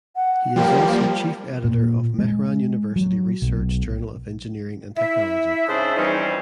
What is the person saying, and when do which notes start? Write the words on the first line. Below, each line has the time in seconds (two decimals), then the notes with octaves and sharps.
He is also Chief Editor of Mehran University Research Journal of Engineering and Technology.
0.16 F#5
0.56 F3 G3 A#3 G5
1.64 A#2
2.19 G#3
2.96 F#3
3.42 B1
4.97 E4 E5
5.67 G#2 C#3 D4 C5 E5 D#6
5.96 E3 F3 G3 C4 C#4 D#4